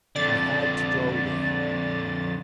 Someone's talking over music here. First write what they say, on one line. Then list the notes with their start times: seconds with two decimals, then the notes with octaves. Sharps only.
I had to go there.
0.16 F2 D3 D5 A6